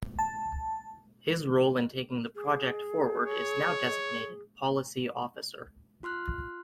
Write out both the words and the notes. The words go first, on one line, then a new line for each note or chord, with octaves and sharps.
His role in taking the project forward is now designated 'Policy Officer'.
A5
G#4
C#5
F4 C6 F6 F#6